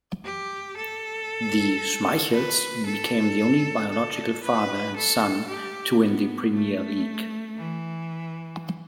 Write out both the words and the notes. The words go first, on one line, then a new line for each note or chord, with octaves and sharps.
The Schmeichels became the only biological father and son to win the Premier League.
G4
A4
B4
A4
A4
B4
A4
G4
B3
A3
E3